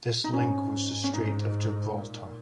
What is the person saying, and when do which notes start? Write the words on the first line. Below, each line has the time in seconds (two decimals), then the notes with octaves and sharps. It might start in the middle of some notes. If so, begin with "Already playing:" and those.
This link was the Strait of Gibraltar.
0.24 D#4
0.32 G#2 C#4
1.04 C#4
1.13 G#2 D#4
1.93 A#2